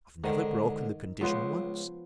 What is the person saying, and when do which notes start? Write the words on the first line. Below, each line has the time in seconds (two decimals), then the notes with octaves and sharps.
I have never broken the condition once.
0.24 G#2 D3 D#3
1.21 C#2 F3 B3 C5